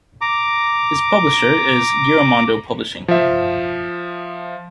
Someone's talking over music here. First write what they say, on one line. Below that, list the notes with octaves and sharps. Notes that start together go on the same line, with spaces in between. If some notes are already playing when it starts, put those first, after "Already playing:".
His publisher is Giramondo Publishing.
A#5 D6
F3 E5